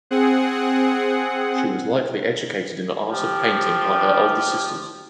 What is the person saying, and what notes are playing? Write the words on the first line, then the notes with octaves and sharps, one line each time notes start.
She was likely educated in the art of painting by her older sisters.
C4 G#4 F#5
F3 G4